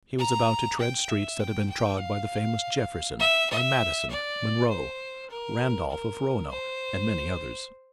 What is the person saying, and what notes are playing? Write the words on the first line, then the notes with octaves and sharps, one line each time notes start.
He was about to tread streets that had been trod by the famous Jefferson, by Madison, Monroe, Randolph of Roanoke, and many others.
A#5
G5
E5
G5
G5
F5
E5
E5
D5
C5
A#4
A#4
C5